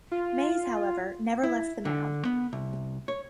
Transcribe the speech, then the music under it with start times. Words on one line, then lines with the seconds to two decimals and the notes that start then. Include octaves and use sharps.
Mays, however, never left the mound.
0.12 F4
1.43 E4
1.85 D3
2.25 B3
2.53 C2
3.08 C#5